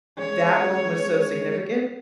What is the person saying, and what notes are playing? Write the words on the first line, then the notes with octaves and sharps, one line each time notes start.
that one was so significant,
G#3 C#4 C#5